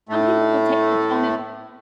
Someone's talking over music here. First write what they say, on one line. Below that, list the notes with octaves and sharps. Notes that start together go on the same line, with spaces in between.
Some people will take their phone and
A2 A3